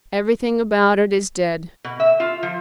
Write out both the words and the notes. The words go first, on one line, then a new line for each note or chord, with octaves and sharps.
Everything about it is dead.
B2
E5
F4
F3